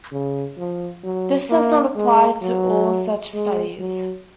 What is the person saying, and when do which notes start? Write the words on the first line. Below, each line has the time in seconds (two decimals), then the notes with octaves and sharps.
This does not apply to all such studies.
0.12 C#3
0.57 F3
1.04 F#3
1.49 A#3
1.95 G#3
2.41 F#3
3.33 G#3
3.79 F#3